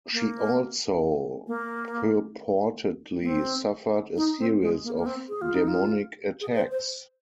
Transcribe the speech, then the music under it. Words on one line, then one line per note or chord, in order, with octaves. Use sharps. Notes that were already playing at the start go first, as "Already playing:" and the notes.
She also purportedly suffered a series of demonic attacks.
A#3
A#3
A#3
C4
D#4
C4
G#3
A#3
A#3
C4
G#4
F4
D#4
F4
G#4
C5
C5